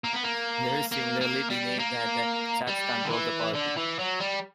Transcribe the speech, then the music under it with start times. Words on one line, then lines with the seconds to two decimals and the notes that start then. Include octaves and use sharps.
Lewis similarly denied that the church controlled the party.
0.04 A#3
0.13 B3
0.24 A#3
0.92 A#3
1.21 A#3
1.50 G3
1.79 A#3
2.67 G3
3.05 D3
3.11 E3
3.55 D3
3.77 E3
3.99 F#3
4.20 G3